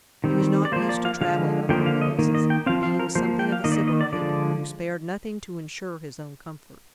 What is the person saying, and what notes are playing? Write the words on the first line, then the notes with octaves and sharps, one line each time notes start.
He was not used to travelling on omnibuses, being something of a sybarite who spared nothing to ensure his own comfort.
D#3 G3 C4
D5
F3 A#3 C5
D5
F5
D3 F3 G#3 F5
D3 F3 A#3 G5
F5
D#5
D#3 A#3
D#5
G5
F3 C4 F5
F5
A#4
F3 A#3 C5
G5
F5
D#3 A#3 D#5
D5
D#5
D#5
D5
D3 F3 G#3 D5